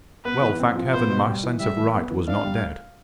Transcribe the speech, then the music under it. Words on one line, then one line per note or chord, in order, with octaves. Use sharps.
Well, thank Heaven! my sense of right was not dead.
B3 B4
E3
C4
F3
B3 C5
B2
G3
E3
G3 E5
E3
B3
E3
D4 F5
G3